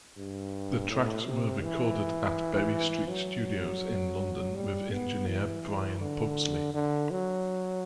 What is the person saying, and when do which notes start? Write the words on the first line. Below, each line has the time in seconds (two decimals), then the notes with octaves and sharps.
The tracks were recorded at Berry Street studios in London with engineer Brian Pugsley.
0.17 G2
0.90 A2
1.26 C3
1.63 E3
3.09 F#3
4.55 G3
4.92 B3
5.27 E3
6.00 D3
6.74 D3
7.11 F#3